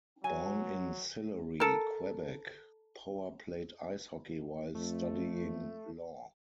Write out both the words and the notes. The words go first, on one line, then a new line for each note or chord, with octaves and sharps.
Born in Sillery, Quebec, Power played ice hockey while studying law.
F#3 G#5
A4 A#4
F2 A3